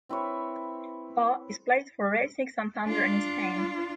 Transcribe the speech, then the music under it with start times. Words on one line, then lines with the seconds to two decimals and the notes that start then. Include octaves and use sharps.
Bahr has played for Racing Santander in Spain.
0.09 C4 E4 B4 C#5
2.86 D4 F4